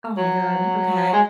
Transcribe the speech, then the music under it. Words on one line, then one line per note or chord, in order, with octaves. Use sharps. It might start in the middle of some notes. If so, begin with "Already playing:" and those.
Oh, my god. Okay.
F#3
G#3